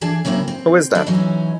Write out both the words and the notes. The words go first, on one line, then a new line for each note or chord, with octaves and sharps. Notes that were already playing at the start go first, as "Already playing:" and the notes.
Who is that?
E3 D4 G#4 A5
C#3 F#3 A#3 C4 E4
C4
D3 D4 B4
E3 F#3 G#3 C#4 D#4 E4